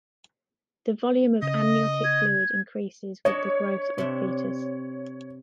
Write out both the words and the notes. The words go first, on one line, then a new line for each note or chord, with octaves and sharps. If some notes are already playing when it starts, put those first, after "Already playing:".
The volume of amniotic fluid increases with the growth of fetus.
C#3 D#5
G#6
D4 C#5 D#5
C3 D4